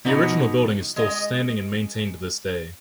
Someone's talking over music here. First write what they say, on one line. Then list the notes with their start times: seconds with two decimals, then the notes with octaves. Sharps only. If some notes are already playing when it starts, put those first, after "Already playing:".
The original building is still standing and maintained to this day.
0.05 B2 E3 F#3 B3 D#4
0.96 G#3 D#5